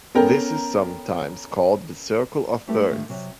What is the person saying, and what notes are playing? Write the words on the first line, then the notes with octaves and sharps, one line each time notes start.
This is sometimes called the "circle of thirds".
B3 C#4 A4 A#4 G5 A#5
G3 A3 E4 G4 A4 B4
G#2 D3 D#3 G3 A3 F4
C3 F#3 G5